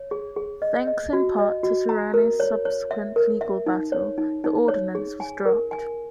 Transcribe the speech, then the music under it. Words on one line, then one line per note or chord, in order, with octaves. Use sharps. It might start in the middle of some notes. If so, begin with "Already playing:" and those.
Thanks in part to Serrano's subsequent legal battle, the ordinance was dropped.
Already playing: C#5
G#4
G#4
D#5
D#5
F#4
D#5
F#4
A#5
A#4
C#5
C#5
E5
A#4
E5
D#4
C#5
D#4
D#4
C#5
G#4
G#5
A#4
G#5